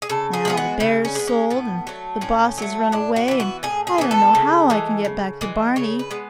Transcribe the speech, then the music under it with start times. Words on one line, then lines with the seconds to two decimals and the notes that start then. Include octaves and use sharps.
Now the bear's sold and the boss has run away, and I don't know how I can get back to Barney.
0.02 G#4
0.09 C#3 A4
0.33 G#4
0.45 G#3 B3 G#4
0.57 F#4
0.80 C#3 E4
1.05 C#4
1.15 G#3 B3
1.27 C#4
1.50 A2 B3
1.87 F#3 A3
2.21 A2 C#4
2.58 F#3 A3
2.92 A2 D4
3.16 F#4
3.28 E3 B3
3.40 F#4
3.63 A2 G#4
3.87 G#4
3.98 E3 B3
4.11 A4
4.35 C#3
4.70 E3 G#3
5.05 C#3
5.41 E3 G#3
5.76 C#3 C#5
5.99 B4
6.11 G#3 B3